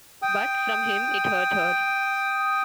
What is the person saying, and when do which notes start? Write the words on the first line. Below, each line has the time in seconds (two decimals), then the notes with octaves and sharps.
But from him it hurt her.
0.22 G5 D#6